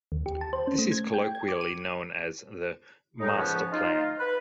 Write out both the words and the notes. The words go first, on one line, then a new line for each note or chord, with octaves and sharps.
This is colloquially known as the "Master Plan".
D#2
G4
A5
C5
C#4
A3
G#6
G5
G#6
D6
D#7
A2 D#4
C#2 G#2 F3 B3 C#4
D#4 F4
B4